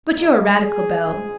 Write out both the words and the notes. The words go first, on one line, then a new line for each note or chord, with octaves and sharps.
But you're a radical, Bell.
C#2 C#3 A#3 D#4
G#4
A#1 G#2 G#3 G#4